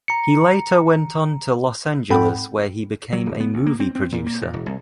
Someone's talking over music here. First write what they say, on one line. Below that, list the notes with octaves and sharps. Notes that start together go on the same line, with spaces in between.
He later on went to Los Angeles where he became a movie producer.
A#5 C#7
G#2 C4 A4 F#5 G5 B5
F#3
D1
B3
D2
A#3
C4
C4
A#2
A#3
A#2
E1
C2